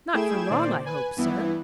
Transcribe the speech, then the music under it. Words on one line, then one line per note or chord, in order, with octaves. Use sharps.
"Not for long, I hope, sir."
A3 E4 G#4 G5 G#6 E7
A#2 D#3 C5 D5
B4 G#5
G2 E3 B3 E4